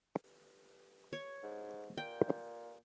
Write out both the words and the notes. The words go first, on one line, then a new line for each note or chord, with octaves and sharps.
The Irish feudal barony also existed.
C#5
G#2
A#2 G5